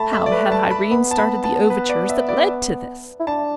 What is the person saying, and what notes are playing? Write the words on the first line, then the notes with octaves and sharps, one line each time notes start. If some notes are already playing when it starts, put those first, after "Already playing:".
How had Irene started the overtures that led to this?
Already playing: A3 A5 B5
E5
D5
B4
A5
B5
B3 B5
A5
B5
A5
B4
D5
E5
D5
E4
D4 A5